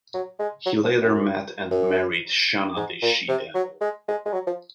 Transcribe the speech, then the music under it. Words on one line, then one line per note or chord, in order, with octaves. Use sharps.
He later met and married Shanna the She-Devil.
F#3
G#3
F#3
F3
F#2
F#2
G#2
A#2
C3
F#3
G#3
G#3
G#3
F#3
F3